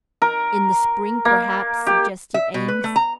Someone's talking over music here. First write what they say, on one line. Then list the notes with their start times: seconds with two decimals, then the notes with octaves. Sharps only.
"In the spring, perhaps," suggested Eames.
0.22 A#4
1.25 A#3
1.87 G4
2.34 E5
2.54 B2
2.68 B4
2.84 A3
2.96 A#5